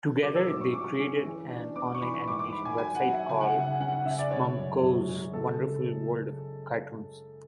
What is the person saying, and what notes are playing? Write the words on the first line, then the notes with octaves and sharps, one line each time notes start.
Together, they created an online animation website called "Spumco's Wonderful World of Cartoons".
F#3 D6
E6
G#2 D6
C#6
C#4 D6
C#4
E3
D4
B3 D6
C#6
E3 B5
C#6
G#2 D6
D6
G#2 B5
G#5
F#3 G#5
F#5
F#3
E5
C#3 G#5
F#5
C#3 E5
F#5
C#4 F#5
F#5
C#3 E5
D5
G#3 C#5
F#2
F#2
G#3
C#3 A4
C#3